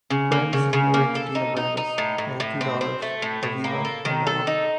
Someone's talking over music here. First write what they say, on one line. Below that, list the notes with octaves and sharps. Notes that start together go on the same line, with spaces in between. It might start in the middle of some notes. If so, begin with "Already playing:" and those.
Brandes is married to Deena Brandes; they have two daughters, Aviva and Noa.
C#3
A#3
C#3
C#3
A#3
A4
D#4
D#4
D#4
A2
A2
A2
C4
C4
A3
A2
A2
A#3
A4
D#3
A4
D#4